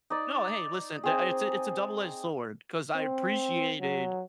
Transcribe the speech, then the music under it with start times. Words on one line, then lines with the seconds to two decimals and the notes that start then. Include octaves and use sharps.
No, hey, listen, tha it's a it's a double edged sword, 'cause I appreciated
0.10 D#4 D5
1.04 C4 G#4
2.95 C4
3.80 F#3